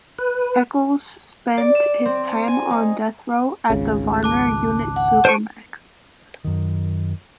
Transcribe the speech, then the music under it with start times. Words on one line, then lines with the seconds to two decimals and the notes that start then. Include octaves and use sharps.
Echols spent his time on death row at the Varner Unit Supermax.
0.19 B4
1.58 D5
1.75 E7
2.05 C4
2.48 G#5
2.71 D#4
3.70 G#1 C#2 C#3
4.23 A5 D6 F#6
4.96 F#5
5.25 C5 A5 C#6 D7 D#7
6.45 F#2 D#3